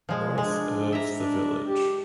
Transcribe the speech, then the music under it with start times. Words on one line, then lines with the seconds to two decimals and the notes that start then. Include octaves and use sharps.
North of the village.
0.09 F3 G#3
0.38 G#3 D4
0.93 E5 A#5
1.15 D4
1.65 G4